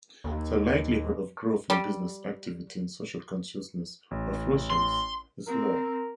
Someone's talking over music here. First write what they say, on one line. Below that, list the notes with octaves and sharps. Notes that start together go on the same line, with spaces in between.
The likelihood of growth in business activity and social consciousness of Russians is low.
D#2
G3
A1
C6
C4 A#4